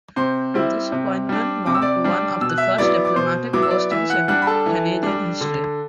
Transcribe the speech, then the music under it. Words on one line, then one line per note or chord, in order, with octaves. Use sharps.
This appointment marked one of the first diplomatic postings in Canadian history.
C3 C5 C6
G3 C4 E4
C3
G3 D4
C3 D6
E6
D5 D6
G3 D4
B2 E6
F#6
E5 E6
F#3 B3 E4 D5 D6
D6
B2 C5 C6
F#3 B3 E4 D6
E6
D5 D6
E3 E5 E6
F#5 F#6
G3 D4 F#5 F#6
B5
A4 A5
E3
G3 D4
D3